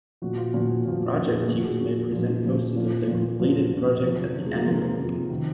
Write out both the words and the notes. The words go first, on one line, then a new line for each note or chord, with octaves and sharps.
Project teams may present posters of their completed projects at the Annual.
A#2 F3 F#4
F4
A#2 F3 F#4
A#2 F3
A#2 F3 F4
G#4
F#4
A#2 F3 F#4
G#4
A#2 F3 F#4
A#2 F3
A#2 F3
A#2 F3
A#2 F3
A#2 F3 F#3
A#2 F3
C3 F3 F#3
F3
C3 F3 F#3
G#3
A#3
C3 F3 F4
C3 F3
C3 D#3